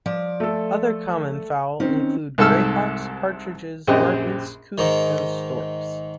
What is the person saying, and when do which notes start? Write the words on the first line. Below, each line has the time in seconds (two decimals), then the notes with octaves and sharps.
Other common fowl include grey hawks, partridges, martins, coots and storks.
0.06 F3 D5
0.40 A3 A4
1.80 D#3 C4 C#4
2.38 C2 G#2 A4 E5 E6 F6
3.87 A#1 F#2 C4 G4 D#5
4.78 G#2 D#3